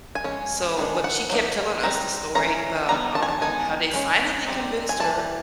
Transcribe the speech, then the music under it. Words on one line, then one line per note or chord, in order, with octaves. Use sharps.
so but she kept telling us the story about, um, how they finally convinced her,
G#5
G#3 C#4
D#3 G#3 D4
F#5
F#3 A#3 D#4
G3 C4 D#4 A#5
E3 G#3 C#4 A#5
G3 B3 D#4 A#5
A5
G#5
A5
G#3 B3 D#4 G#5
G#3 C#4
G3 C4 D#4
G#5
E3 G3 A5